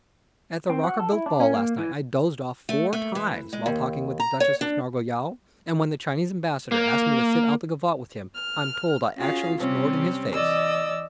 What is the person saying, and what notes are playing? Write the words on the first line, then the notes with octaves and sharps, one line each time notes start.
At the Rockerbilt ball last night I dozed off four times while talking with the Duchess of Snarleyow, and when the Chinese Ambassador asked me to sit out the gavotte with him I'm told I actually snored in his face.
C4
F#4
A4
E4
D4
C#4
A#3
E3
A3
A3
E3
G#3
D#2
A#5
C#5
D4
A#3
F6
C#4 F4 F#4 G#4 F5
C3 G3 C4 C#4
E3 D5 D#5 E6